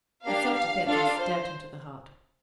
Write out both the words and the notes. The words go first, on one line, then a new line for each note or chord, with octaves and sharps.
In self-defence I stabbed him to the heart.
A#3 D4 G4 F5
F5
D4 F4 A4 F5
C5